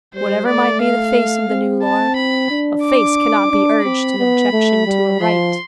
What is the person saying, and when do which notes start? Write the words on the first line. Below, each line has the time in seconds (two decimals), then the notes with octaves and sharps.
Whatever might be the face of the new lord, a face cannot be urged in objection to a right.
0.14 G3 C5
0.48 A3 D5
0.82 F5
1.50 C4
1.83 A5
2.16 B5
2.51 D4
2.84 D6
3.51 D4
3.85 C4 B5
4.19 B3
4.53 A3
4.87 G3
5.21 F3 C6